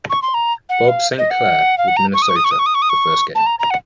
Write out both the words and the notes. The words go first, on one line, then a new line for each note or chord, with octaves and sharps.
Bob Saint Clair, with Minnesota, the first game.
C#6
C6
A#5
F#5
F5
D#5
F#5
F5
F#5
A#5
C#6
D#6
C#6
D#6
C#6
D#6
C#6
D#6
C#6
D#6
C#6
A5
A#5
A#5
F#5